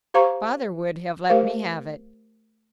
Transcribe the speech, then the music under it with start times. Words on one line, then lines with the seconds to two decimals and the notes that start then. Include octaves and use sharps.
Father would have let me have it.
0.14 G4 C5 F5 A#5 C#6
1.29 A3 G4 A#4 C5 F5